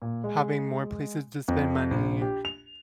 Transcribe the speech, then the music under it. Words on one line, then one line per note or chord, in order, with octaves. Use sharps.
having more places to spend money,
A#2
G#3
F2
A#1
G4
F7